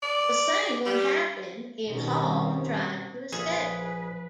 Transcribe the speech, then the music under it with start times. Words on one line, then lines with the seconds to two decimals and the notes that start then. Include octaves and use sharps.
The same would happen if Hall tried to escape.
0.03 D5
0.86 G3
1.89 B2 D#3 G3 C4 C#4
3.32 A#1 F3 F4 G#4 A4 B4